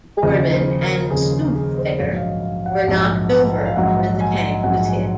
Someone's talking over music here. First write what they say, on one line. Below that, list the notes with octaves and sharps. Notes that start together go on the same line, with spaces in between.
Bormann and Stumpfegger were "knocked over" when the tank was hit.
D#2 C#3 F3 D#5
C5
A#4
D#2 C#3 F3 G#4
G#4
G#4
C5
A#1 G#2 F#3 C#5
F5
D#5
F5
F#5
A#1 G#2 F#3
F5
A#1 G#2 F#3 F#5
G#5
A#1 G#2 F#3 F#5
G#5